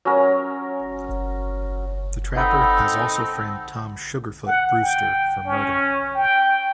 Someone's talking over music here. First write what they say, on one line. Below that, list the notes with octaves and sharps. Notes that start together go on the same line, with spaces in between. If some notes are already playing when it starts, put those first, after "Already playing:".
The trapper has also framed Tom "Sugarfoot" Brewster for murder.
F#3 C#4 A#4
C4 D#4 A4 F#5 B5
F#5
G5
C#4
G5